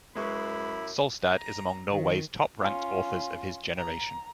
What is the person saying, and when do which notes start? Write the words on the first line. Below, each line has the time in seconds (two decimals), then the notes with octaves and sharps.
Solstad is among Norway's top-ranked authors of his generation.
0.15 F#2 G#3 E4 B4 B5 C#6
1.37 A#5
1.91 D#3
2.59 C#4 F4
3.77 A#5